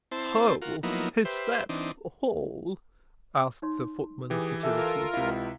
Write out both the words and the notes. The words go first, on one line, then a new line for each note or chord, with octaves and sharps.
"Ho! is that hall?" asked the footman, satirically.
C4 E4 C5 A5
F4 F#4 A#4
F3 F#3 A#3 B3 D#4 E4
G4 B4 C5 E5
E3 C4 D4 D#4
D#4 C#5 C6
E3 G4 G#4
F4 A4 A#4 E5
C#2 C3 E4 F5